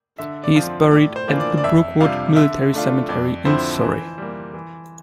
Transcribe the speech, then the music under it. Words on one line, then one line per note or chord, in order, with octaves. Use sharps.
He is buried at the Brookwood Military Cemetery in Surrey.
D3 E5
D5
F3 C4 F4
A2 D5
C5
E3 A#3 D4 F4
D5
D5
F2 E5
C3 G3 D4 F4 F5
D3 E5
A3 D4 F4
F2 D5
D3 F3 C4 E4 C5
E3
G3 A#3
E3